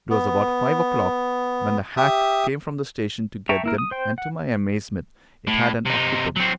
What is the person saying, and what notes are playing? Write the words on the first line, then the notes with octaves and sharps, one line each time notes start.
It was about five o'clock when the hack came from the station to get them, and, to my amazement, it had an occupant.
B3
G4 E5 D#6
E5 G5 A5 A#5 C#6
A#3 E4 A#4
D#6
C5 G5
F#5
A2
C3 D#4
F#3 C4